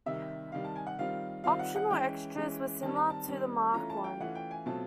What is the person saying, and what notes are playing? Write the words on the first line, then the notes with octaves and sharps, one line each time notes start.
Optional extras were similar to the Mark One.
C3 D#3 G3 E5
C3 D#3 G3 F5
A5
G#5
F#5
D#3 G3 C4 F4 F5
D#3 G3 C4 F4 F5
F#5
F#5
E3 G#3 C#4 G5
E3 G#3 C#4
D#3 G3 C4 A5
A#5
A5
D#3 G3 C4
E3 A3 C#4 F4 A#5
A5
G5
E3 A3 C#4 F4 F#5
G5
G#5
B2 F#3 A3 C4 F4 A5